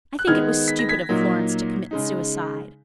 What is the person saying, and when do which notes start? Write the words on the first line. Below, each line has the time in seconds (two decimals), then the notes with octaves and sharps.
"I think it was stupid of Florence to commit suicide."
0.19 F#6
0.27 D#3 G#3 B3 D#4 F6 G#6
0.68 B6
0.79 A#6
0.89 G#6 B6
1.09 A#2 F#3 A#3 D#4
1.91 C#3 G#3 D#4